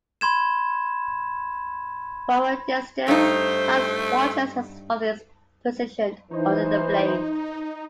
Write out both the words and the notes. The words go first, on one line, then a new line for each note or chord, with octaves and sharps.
From a distance, Hans watches as his father is positioned under the blade.
B5 C6 G#6 E7
G2 A3 D#4 C5
E3 D#4 C5